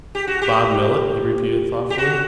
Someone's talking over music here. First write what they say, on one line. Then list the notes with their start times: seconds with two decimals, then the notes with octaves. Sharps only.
"Bob Millet," he repeated thoughtfully.
0.15 G4
0.27 F#4
0.42 G4
1.90 G4
1.98 F#4